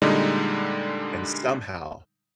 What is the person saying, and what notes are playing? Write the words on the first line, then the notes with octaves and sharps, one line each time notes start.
And somehow
A#2 D3 G3 G#3 D#4